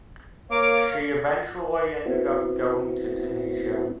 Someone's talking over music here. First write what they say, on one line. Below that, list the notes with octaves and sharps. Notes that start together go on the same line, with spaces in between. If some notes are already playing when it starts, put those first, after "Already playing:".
She eventually ended up going to Tunisia.
A#3 A#4 C#5 F5 D6
B3 C4 E4 F#4